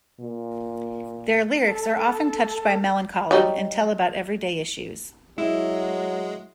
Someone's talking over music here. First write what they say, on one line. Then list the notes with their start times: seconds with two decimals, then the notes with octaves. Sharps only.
Their lyrics are often touched by melancholy and tell about every-day issues.
0.20 A#2
1.68 A4
3.31 F#3 G3 D#4
5.38 F#3 G#3 E4